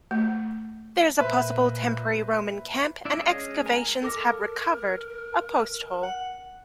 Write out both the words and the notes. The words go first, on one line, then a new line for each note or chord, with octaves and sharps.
There is a possible temporary Roman camp and excavations have recovered a posthole.
A3
A#2 B4 C5 E5
D4 E4 D5 E5
G#3 C#4 G#4 D#5
A#4 G#5 A#5
A4 A#4 D6 A#6
F#5